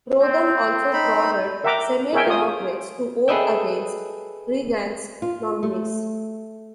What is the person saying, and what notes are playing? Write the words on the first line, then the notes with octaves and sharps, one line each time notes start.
Rodham also prodded Senate Democrats to vote against Reagan's nominees.
C4
D#4 B5
A#4 E5 F#5 G5 A#5 D6
G#4 A#4 C#5 E5 G5 G#5
F4 G#4 D#6
G#4 A4 B4 D#5 E5 G5
F4
A3